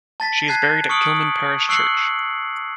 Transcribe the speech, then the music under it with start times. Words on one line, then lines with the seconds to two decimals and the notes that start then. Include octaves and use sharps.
She is buried at Kilmun Parish Church.
0.20 A5 A6 B6
0.48 A5 F#6 G#6 C7
0.89 C#6 D#6 F6 C#7 D7 F#7
1.69 C#6 E6 F#6 C7 C#7 F#7